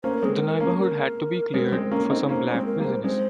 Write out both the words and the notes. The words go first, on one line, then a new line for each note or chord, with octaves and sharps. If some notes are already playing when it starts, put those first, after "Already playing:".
The neighbourhood had to be cleared for some black business.
A#3 C#4 C5
A#4
G#3 C4 G#4
A#4
A#3 C#4
A#4
G#3 C4
G#3 C4
A#3 C#4
C4 D#4
A#3 C#4 C5
C5
G#3 C4
A#4
G3 A#3
C5
G#3 C4 C5